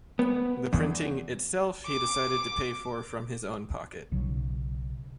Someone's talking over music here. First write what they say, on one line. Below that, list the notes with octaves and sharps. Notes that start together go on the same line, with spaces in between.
The printing itself he decided to pay for from his own pocket.
B3
E2
D6
B1 C#3 F#3